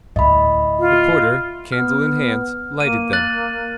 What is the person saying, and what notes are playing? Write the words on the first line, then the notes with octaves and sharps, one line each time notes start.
The porter, candle in hand, lighted them.
D2 A2 D#5 E5 B5
F4
B3 F6
A#3 D#7
F#6 A6 F#7